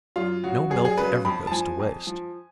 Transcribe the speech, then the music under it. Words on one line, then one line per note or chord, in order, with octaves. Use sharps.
No milk ever goes to waste.
F#2 F4
C#3 F#3 F#4
F#2 G#4
G#4
C#3 F#3 B4
F2 B5
A5
F3 G#5
F2
F3